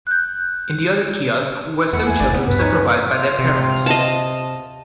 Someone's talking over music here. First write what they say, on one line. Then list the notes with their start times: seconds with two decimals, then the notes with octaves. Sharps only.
In the other kiosk were some children supervised by their parents.
0.07 F#6 G6
1.93 E2 A3 E4 F#5
2.06 G#5
2.20 G#1 D5
2.33 D2 B3
2.47 G2 B4
2.59 C#4 D#4 C#5
3.12 F4
3.39 C3
3.86 D#5 A5